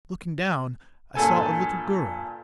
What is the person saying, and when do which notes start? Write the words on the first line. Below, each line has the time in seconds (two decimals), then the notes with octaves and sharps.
Looking down I saw a little girl.
1.15 G2 A#2 A4 G#5